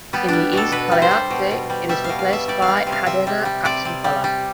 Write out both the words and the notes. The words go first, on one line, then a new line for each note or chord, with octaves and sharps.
In the East Palearctic it is replaced by "Hadena capsincola".
G3 B3
G3 D4
B2 A4
B2 B4
G3
C5
G3
B2
B2
G3
G3 E5
B2 F5
F5
B2 E5
G3 D5
F5
G3
F5
C3
F5
C3 E5
G3
G3
C3 D5
C3
G3
G3